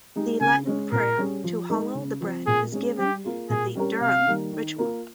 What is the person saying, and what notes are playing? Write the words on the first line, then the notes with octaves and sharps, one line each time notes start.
The Latin prayer to hallow the bread is given in the Durham Ritual.
G#3 D#4 G4
C#3 G#5
G#3 C#4
A#2 A#4
G3 C#4 G#4
F3
G#3 D#4 A#4
C#3
F3 C4
A#2 G#4
G#3 C#4 G#4
G3 G4
A#3 F4 G#4
A#2 G#4
G3 C#4 G4 A#4
C3 F5
D#3 G3 A#3
D#3
A#3 F4 A#4